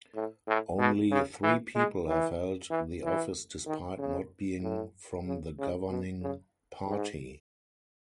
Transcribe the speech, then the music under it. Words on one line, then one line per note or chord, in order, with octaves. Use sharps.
Only three people have held the office despite not being from the governing party.
A2
A2
B2
C#3
E3
G#3
E3
E3
E3
D#3
C#3
A2
C#3
C#3
B2
C#3
G#2